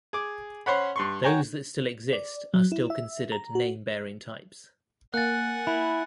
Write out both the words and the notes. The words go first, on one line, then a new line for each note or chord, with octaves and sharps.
Those that still exist are still considered name-bearing types.
G#4 D6
C#4 C5 C#5 F#5 B5
G2 C6 C#6
F#4 C#5 G5 G#5 A#5
D5
F#3
E4
E5
A#5
F#4
A#3 F#5 G#5 F#6 A6
E4 B5